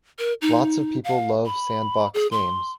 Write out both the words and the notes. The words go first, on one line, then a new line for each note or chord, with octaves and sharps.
Lots of people love sandbox games.
A#4
D#4
F5
B5
G#4
C6